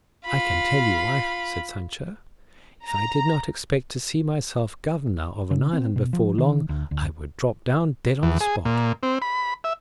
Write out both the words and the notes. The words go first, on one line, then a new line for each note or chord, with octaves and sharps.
"I can tell you, wife," said Sancho, "if I did not expect to see myself governor of an island before long, I would drop down dead on the spot."
F4 B5
A#5
C#3
C4
B2
F3
D#3
D2
D2
E2
G#4
A#2
C4
B5
E5